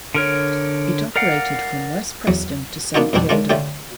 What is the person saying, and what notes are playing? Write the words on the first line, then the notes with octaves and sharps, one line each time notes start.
It operated from West Preston to Saint Kilda.
D3 A#4 C#5
A#4 D5 F5 F#5
E2 F#3
A#3 B3 D4 D#4 F4 F#4
F2 B2 G3 C4 D4
D#3 G#3 C#4 D4 F4
D3 A3 C#4 F4 G4